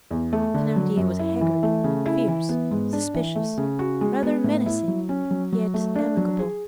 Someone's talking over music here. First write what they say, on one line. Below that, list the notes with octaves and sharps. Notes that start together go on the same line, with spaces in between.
Thenardier was haggard, fierce, suspicious, rather menacing, yet amicable.
E2
A3
D3
F#3
F#2
E4
E3
A3
C#3
E4
E3
B3
G#2
D4
E3
A3
C#3
F#4
G#3
B3
A2
E4
F#3
C#4
F#3
F#3
A3
D4
F#3
G#4